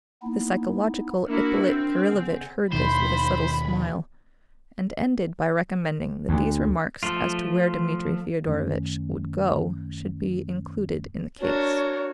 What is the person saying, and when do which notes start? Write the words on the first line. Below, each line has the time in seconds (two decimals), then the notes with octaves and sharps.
The psychological Ippolit Kirillovitch heard this with a subtle smile, and ended by recommending that these remarks as to where Dmitri Fyodorovitch would go should be "included in the case."
0.23 A#3 B3 D#4 E4
1.27 A#3 D4 E4 F#4 A#4
1.66 C4
2.10 C#3 B3 C#4
2.72 D#2 B2 D#3 C5 B5
6.29 D2
7.03 F3 A3 F4
8.47 F#2 D#3 A3 C#4
11.40 D4 F#4 A#4 C#5